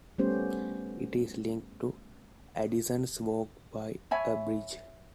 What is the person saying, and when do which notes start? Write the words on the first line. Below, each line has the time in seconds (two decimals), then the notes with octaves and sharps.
It is linked to Addison's Walk by a bridge.
0.18 G3 A3 B3 C#4 G4 C5
4.11 C#5 E5 G#5 B5